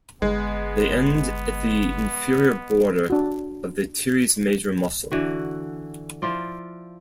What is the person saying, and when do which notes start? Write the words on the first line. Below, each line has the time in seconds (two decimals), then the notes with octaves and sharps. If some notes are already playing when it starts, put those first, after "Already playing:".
They end at the inferior border of the teres major muscle.
0.22 G1 G#3 B3
3.10 D4 F#4
5.12 D3 E3 F#4
6.22 F3 E4 F4 D5